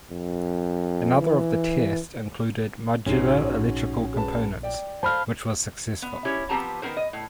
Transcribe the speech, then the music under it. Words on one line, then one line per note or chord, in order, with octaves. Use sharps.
Another of the tests included modular electrical components, which was successful.
F2
E3
A#1 G#2 C#4 F#4 C7
G#3 B4 A5
D5 G5
C5 F5 A5 B5 F6
B3
C#4 E4 G4 C#5
F3 B3 C4 G4 A5 A#5
D#3 B3 D#4 A#4 C5
D#5
A2